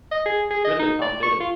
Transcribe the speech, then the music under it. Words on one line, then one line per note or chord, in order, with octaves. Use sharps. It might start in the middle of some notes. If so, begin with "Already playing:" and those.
It’s good that Tom did it.
D#5
G#4
G#4
D#5
D#4
D5
C#6
F4